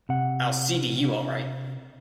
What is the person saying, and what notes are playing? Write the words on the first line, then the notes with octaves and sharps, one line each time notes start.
I'll see to you all right.
C3 F#5